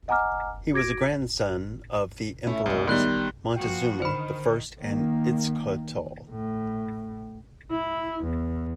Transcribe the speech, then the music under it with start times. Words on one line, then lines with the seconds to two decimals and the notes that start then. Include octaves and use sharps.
He was a grandson of the Emperors Moctezuma the First and Itzcoatl.
0.08 D#5 F#5 G#5 A#5 D6 F6
0.73 F#4 D6 G#6 A#6 D7
2.47 A3 C#4 E4
2.66 C2 A2 G#3
2.87 D#3 G3 B3 D#4 D5 C6 F#6 G7
3.56 F3 A#3 F#4 G5
4.02 D3 D#3 C5 B5
4.80 D#3 A#3
6.30 A2
7.71 E4
8.23 E2